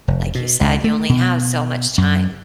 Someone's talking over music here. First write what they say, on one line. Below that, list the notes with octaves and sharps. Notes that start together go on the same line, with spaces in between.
like you said, you only have so much time.
F1
B2
C#2
A3
B2
F#2